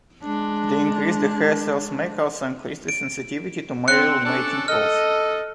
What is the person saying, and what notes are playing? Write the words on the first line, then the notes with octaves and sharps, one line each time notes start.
The increase the hair cells make also increase the sensitivity to male mating calls.
G#3 D4
D7
C4 F#6 C#7
C#4 D4 A4
A4 D#5 F6